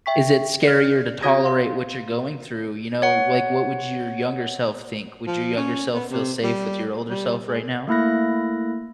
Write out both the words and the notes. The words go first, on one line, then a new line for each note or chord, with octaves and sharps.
"is it scarier to tolerate what you're going through, you know, like, what would your younger self think, would your younger self feel safe with your older self right now?"
E5 G5 C#6 B6
D5 F6
C4 F#4 C#5 D#6 G#6 A#6
F5 C6
C#5 F#5
F3
C#4
B3
C3
G3
G3
G#3
A3 A#3 E4 F#6 A#6